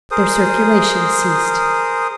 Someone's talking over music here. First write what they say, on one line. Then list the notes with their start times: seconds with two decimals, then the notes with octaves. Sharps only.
There circulation ceased.
0.11 G#4 A#4 C5 D#6